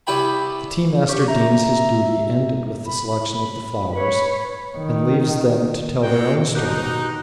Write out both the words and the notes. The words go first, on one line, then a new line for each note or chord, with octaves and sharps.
The tea-master deems his duty ended with the selection of the flowers, and leaves them to tell their own story.
C2 G3 E4 B4 G5 B5
G4 C#6
E5 A#5
B5
B4 C#5
D#3
G#3 F#4 G5
B2 D#3 D#4 F#4 G4 D6